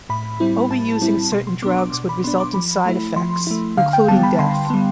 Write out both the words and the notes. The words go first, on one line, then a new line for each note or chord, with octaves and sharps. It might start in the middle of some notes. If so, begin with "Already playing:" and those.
Overusing certain drugs would result in side-effects, including death.
A2 B5
G3 C4 E4
A2 A5
G3 C4 E4
B2 C6
C6
B3 D4 D6
D6
B2 D6
B5
B3 D4 C6
D6
F3 B5
A3 E4
F3 C6
A3 E4
D3 F5
G5
G3 B3 A5
B5
D3 C6
G3 B3